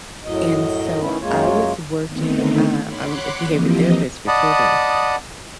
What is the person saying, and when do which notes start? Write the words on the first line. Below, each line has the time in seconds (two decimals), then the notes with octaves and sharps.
and so I was working, uh, I'm a behavior therapist for children.
0.25 F#2 A2 F#3 D#5
1.00 D#3 A3 B3 C#4 E4
1.21 F#2 G#3 A#3 F4 C#5
2.06 D3 D#3 A3 B3 C4 D#4
2.83 C#5 F#5 B5 C6 D6 F#6
3.45 E3 F3 A#3 C4 G4 D#5
4.27 D5 D#5 F#5 A5 B5 D#6